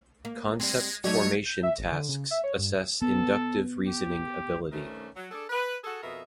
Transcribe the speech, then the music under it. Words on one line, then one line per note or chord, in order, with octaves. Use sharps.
Concept Formation tasks assess inductive reasoning ability.
A#3
G3 G#3 C4
F#3 A3 D#4 C#5 D5
G6
E5
G#1
D3
C#3
E5
C#5
G2
B3 A4
G4
G2 C3 D#3 A3 C#4
F#3
D4 G#4 A4
B4
F#4 G#4 A4
F2 B2 A#4 D#5 E5